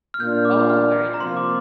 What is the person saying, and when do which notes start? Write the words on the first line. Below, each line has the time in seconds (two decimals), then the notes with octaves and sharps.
Oh, very nice.
0.14 F6
0.20 A#2 A#3 D4 F4 G6
0.45 D6
0.70 F6
1.14 A#5
1.20 C3 F3 A#3 F4 C6
1.37 D6